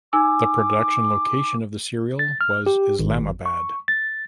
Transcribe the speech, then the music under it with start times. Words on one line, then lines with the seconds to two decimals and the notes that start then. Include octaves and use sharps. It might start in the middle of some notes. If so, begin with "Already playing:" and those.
The production location of the serial was Islamabad.
0.13 D#4 G#5 D6 E6
2.19 A6
2.41 F6
2.66 G4
2.99 G#1
3.46 C#6
3.88 A6